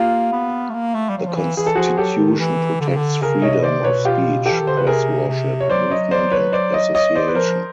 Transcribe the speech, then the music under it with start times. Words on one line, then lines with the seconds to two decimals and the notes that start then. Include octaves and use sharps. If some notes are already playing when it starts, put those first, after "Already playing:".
The constitution protects freedom of speech, press, worship, movement, and association.
Already playing: A#3 F4 G4
0.32 B3
0.70 A3
0.74 A#3
0.95 A3
1.09 G3
1.18 F#3
1.27 F3
1.35 E3
1.57 E3 G#4
1.66 A4
1.75 F3 F#4 G#4
1.97 F#3 G4 A4
2.18 D#3
2.39 E3
2.81 D3
2.88 C#3
2.97 D3
3.22 C#3 G#4 A#4
3.42 C3 C#5 D#5
3.58 B2
3.63 C3 C5 D5
3.83 B2 B4 C#5
4.05 F4 G4
4.46 G4 A4
4.51 E3
4.60 D#3
4.67 D3 C5
4.77 C#3 B4
4.87 C3 G#4 A#4
5.29 C3
5.60 C#5
5.70 F#3 C5 D5
5.90 C#5 D#5
6.11 C5 D5
6.32 B4 C#5
6.52 C5 D5
6.73 C#5 D#5
6.94 C#5 D#5
7.15 C5 D5
7.28 B4
7.35 F3 A#4 C5